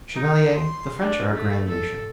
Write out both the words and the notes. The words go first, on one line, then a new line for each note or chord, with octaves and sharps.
Chevalier, the French are a grand nation.
D#4
C6
D4
A3
A4